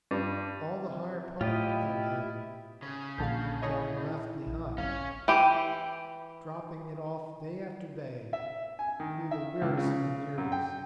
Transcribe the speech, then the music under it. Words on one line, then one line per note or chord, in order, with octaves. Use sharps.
All the higher part of him he had left behind, dropping it off day after day through the wearisome years.
G2
C3
A2 E4 F4 G4 D#5
C#3
A#1 A#2 D3 F5 A5 G6
E4 G#4 C#5 D#5
A#1
G1 C#4 F5
E3 G4 G5 B5
E5
G#5
D#3
E5
C#2
C#3
F#2
G5